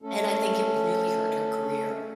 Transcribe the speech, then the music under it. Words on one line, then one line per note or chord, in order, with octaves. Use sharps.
And I think it really hurt her career.
A3 C#4 A4